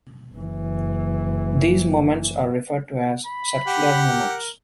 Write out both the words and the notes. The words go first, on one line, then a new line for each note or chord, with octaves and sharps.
These moments are referred to as "circular moments".
F#1 E3
B5
G4 F#5
A#4